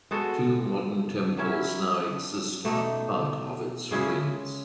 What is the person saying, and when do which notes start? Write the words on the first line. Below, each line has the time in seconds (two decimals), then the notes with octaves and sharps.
Two modern temples now exist on part of its ruins.
0.11 G#3 B3 F#4 A4
1.37 F#3 C#4 E4
2.65 B2 A3 D#4
3.91 C#3 G#3 C#4 E4